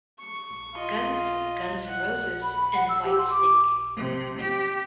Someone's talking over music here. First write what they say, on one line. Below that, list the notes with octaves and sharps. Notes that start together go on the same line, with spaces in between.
Guns, Guns N' Roses and Whitesnake.
C#6
F4 D#5
F#5
B5
B5
F#5
E6
G4
C6
D6
C3
G4